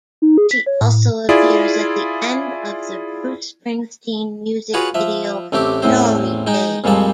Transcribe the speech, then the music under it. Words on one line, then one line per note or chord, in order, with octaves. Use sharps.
She also appears at the end of the Bruce Springsteen music video "Glory Days".
D#4
G#4
B6
C#5
A2
E4 F4 G#4 D5
F4 F#4 G#4 B4 C#5 F#5
F3 E5
A1 A3 C4 G4 D6
A1 E2 A2 C4 C5
G#3 D#4 G5
F2 A#2 G3 G#3 C4 A5